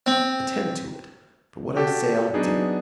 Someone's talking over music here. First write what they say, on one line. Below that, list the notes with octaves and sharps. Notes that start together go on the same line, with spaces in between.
Attend to it; for what I say I'll do.
C4
F#4 G4 A4
F#3 B3 D4 D#4 G#4